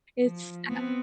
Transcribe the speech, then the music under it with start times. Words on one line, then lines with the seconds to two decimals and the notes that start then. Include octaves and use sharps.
it's I
0.19 F3
0.67 B3 C4